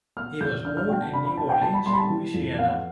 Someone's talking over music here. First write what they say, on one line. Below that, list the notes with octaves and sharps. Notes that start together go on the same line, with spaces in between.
He was born in New Orleans, Louisiana.
B3 F6
E2 G6
D4 F6
F6
B2 G5
A5
D4 B5
B5
B2 A5
G5
B2 A5
B5
G3 C6
B5
A5
E3
F2
B3 F5